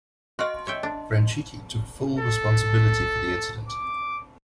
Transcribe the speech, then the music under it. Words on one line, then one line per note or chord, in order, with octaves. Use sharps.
Franchitti took full responsibility for the incident.
F#4 D#5 F5 F#5 C6
C#5 E5 G5
D4
A4
D6